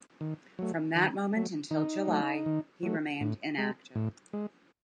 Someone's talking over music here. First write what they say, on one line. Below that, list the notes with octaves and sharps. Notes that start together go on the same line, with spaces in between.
From that moment until July, he remained inactive.
D#3
F#3 A3
D#3
F#3 A3
D#3 D#4
F#3 A3
D#3
F#3 A3
A2
G#3
A2
G#3